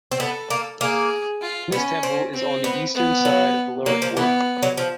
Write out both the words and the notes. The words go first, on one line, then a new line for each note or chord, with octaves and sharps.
This temple is on the eastern side of the lower fort.
C4
B3 A4
A#3
A#3 G#4
F4
B3 C#4
C4
C4
B3
B3
F#3
F#3 A#3
F3
E3 B3
F#3
F3